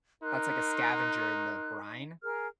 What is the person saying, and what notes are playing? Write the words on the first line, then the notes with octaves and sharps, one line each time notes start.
that's like a scavenger in the brine.
D#4 A#4 C6 F#6
G#4 A#4 F6